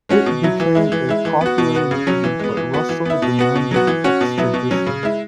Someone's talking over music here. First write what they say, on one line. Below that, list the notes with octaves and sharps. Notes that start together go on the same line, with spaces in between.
It became a popular movie, but Russell demanded extradition.
G#3 C#4 F#4
B2
F#3 E4
E3
G#3 E4
E3
G#3 E4
E3
B3 F#4
B2
B3 F#4
C#3
F#3 C#4
E3
G#3 B3
E3
B3 F#4
E3
B3 E4
B2
B3 F#4
B2
F#3 B3 F#4
E3
C#4 F#4
B2
F#3 B3 E4
B2
F#3 C#4
C#3
G#3 E4